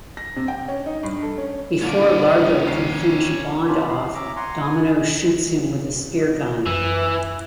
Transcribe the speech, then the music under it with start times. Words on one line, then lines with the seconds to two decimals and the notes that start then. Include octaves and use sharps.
Before Largo can finish Bond off Domino shoots him with a spear gun.
0.17 A#6
0.36 C3
0.48 G5
0.68 C#4
0.86 D#4
1.03 G2
1.22 A4
1.38 C#4
1.82 G2 A#2 D3 C#4 D5
2.67 D#2 C7
3.67 B3 C#4 D4 F4 G4 B5
3.89 F5
4.14 C#4 E5 A#5 D6
4.36 F#5 G#5 A#5 C6
4.62 G#5
6.66 F#2 E3